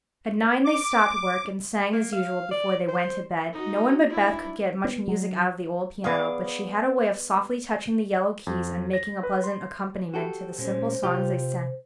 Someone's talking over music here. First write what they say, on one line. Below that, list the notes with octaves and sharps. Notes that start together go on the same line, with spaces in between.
At nine they stopped work, and sang, as usual, before they went to bed. No one but Beth could get much music out of the old piano, but she had a way of softly touching the yellow keys and making a pleasant accompaniment to the simple songs they sang.
D6
A#3
F5
D5
C5
D#4 F#4
D4 E4
B3
F#3
B3 G#4 D5 F5
F2
A#6
B4
C6
F#4 G4 A4
A#2 G#3 C#4 C5
C3 F4 G4